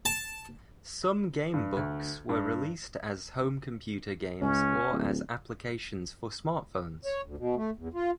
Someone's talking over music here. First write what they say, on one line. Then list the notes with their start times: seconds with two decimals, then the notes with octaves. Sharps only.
Some gamebooks were released as home computer games or as applications for smartphones.
0.05 A5
1.54 G2
1.77 D2
2.29 G2
4.41 C#2 C#4
4.92 D1
7.05 C#5
7.25 D2
7.38 B2
7.56 A3
7.77 E2
7.94 F4